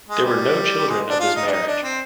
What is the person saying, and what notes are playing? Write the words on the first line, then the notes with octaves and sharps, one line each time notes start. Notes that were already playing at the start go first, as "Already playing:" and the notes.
There were no children of this marriage.
G#3
G3
G#3
D4
F4
D#4
D4
D#4
D4
C4